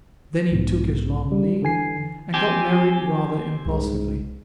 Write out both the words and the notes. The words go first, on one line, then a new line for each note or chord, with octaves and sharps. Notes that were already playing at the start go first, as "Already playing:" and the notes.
Then he took his long leave, and got married rather impulsively.
B1 G#2 B2
G3
D3 E3 G#5 C7
F3 C4 G4 G#5
C2 G#2